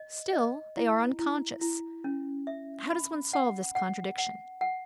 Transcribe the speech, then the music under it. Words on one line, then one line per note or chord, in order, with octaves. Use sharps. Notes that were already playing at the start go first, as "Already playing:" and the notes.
Still they are unconscious; how does one solve this contradiction?
Already playing: D#5
D#5
E4
E4
E4
C#4
E5
B5
F#5
F#5
F#5
F#5